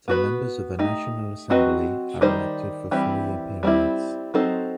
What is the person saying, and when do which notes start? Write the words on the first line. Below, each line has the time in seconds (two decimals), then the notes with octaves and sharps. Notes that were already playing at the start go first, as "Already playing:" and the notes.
The members of the National Assembly are elected for four-year periods.
0.08 B3 F#4 B4
0.79 A3 D#4 G4
1.50 F#3 C4 F#4 B4 D#5
2.21 D#3 G3 D#4 C5
2.91 E3 G3 C4 E4 G4
3.63 G3 C4 E4
4.34 F#3 C4 D#4 A4 C5